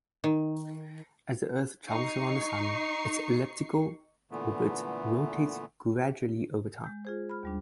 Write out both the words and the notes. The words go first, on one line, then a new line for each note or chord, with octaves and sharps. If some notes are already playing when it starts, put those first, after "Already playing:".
As the Earth travels around the Sun, its elliptical orbit rotates gradually over time.
D#3
D#4 C#6 C7
A#2 D3 E3 A3 B3
G#3 G6
F4 G#4 C5
B5 F6
D#2 G3 D4